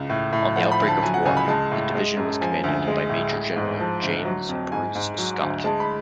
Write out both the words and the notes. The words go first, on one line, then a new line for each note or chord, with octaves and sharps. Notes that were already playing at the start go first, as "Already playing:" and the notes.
On the outbreak of war, the division was commanded by Major-General James Bruce Scott.
Already playing: C#2
A2
A2
F3 F#5
B5
D2
A5
F#3 G#5
F#5
C#2 G#5
B5
G#3 A5
A2
G#3
F#2
F3 G#5
D2
G#3
A2
G#3
G#2
F3 A5
D2
F#3
F2
G#2 G#5
G#2
F#3
D2
G#3 A5
B5